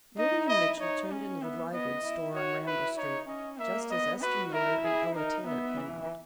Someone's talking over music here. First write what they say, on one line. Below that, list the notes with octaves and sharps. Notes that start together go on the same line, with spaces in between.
Lilian Mitchell turned into the dry-goods store on Randall Street, just as Esther Miller and Ella Taylor came out.
D#4 D#5
E4 D#5
D#4 C#5
C#4
B3 E5
B3 D#5
E4
F#4 C#5
E4 B4
D#4 C#5
C#4 D#5
A#3 E5
B3 D#5
F#4 B4
E4 A#4
G#4
D#4 A#4
B3 E5
E3